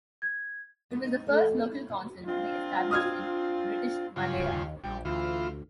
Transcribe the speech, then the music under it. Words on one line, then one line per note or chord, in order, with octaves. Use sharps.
It was the first local council to be established in British Malaya.
G#6
B3
D#4
A3
E2
D4
E4
A#2
C4 D4 F4
D#6 F6 G#6
G2 C#3 F4
D1
D#2
A#1 G3
D2 E3 F4